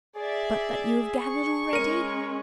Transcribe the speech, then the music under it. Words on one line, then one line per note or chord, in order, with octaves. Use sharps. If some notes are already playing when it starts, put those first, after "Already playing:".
But that you have gathered already?
G#4 D5 E5
C#6
G#3 C#4 A#4 D#7